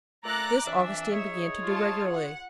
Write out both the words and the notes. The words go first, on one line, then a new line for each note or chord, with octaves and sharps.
This Augustine began to do regularly.
A#2 A3 A4 A#5 D6 F#6
F2 E3 D4 E5
D#4 G#4 C#5
F4 A5
F#5